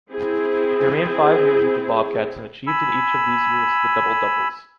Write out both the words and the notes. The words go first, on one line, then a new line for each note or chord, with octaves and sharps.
He remained five years with the Bobcats and achieved in each of these years the Double-Doubles.
C4 E4 G#4
G#5 B5 E6